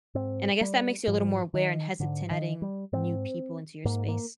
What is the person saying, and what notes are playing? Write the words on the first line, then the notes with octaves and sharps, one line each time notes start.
And I guess that makes you a little more aware and hesitant adding new people into your space.
G#2 C4
G3
G#2 F3
D#3
G#2 D3
D#3
G3
G#2 C4
G#2 A#3
A#3